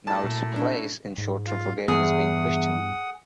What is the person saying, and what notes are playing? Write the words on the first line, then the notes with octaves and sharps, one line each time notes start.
Now, its place in short term forgetting is being questioned.
F#2 A2 A5
A#2
C#4 D4
G#2
F4 F5
E2 G2 G#4 F#5 D#6